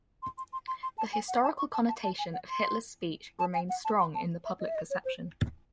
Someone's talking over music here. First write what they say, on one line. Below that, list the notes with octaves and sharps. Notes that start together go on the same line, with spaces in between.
The historical connotation of Hitler's speech remains strong in the public perception.
C6
C6
C6
C6
C6
A5
G#5
F#5
A5
C#6
A5
A5
A5
G#5
F#5
C6
A5
G#5
F#5
A5
C6
A5
E5
D#5
E5
D#5
C#5
C5